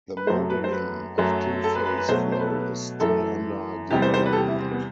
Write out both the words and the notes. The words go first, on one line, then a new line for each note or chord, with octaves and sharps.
The modeling of two-phase flow is still under development.
B4
F#2 F#3 A3 C5
B4
C5
B4
F#2 F#3 A3
A4
B4
B4
B4
B2 F#3 A3 C5
C5
B4
A4
B4
F#2 E3 A3 A4
E2 C3 G3 G4
C5
C5
B4
A4
G4
E4
C4
B3